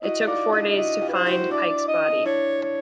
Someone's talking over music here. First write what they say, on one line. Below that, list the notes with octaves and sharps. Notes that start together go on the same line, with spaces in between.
It took four days to find Pike's body.
E4 F#4 D#5
D#4 F4 D5
D4 E4 D#5
E4 F#4 D#5
F4 G4
B4
C5
E4 F#4
D4 E4 D5
D#5
D4 E4 C#5
C#5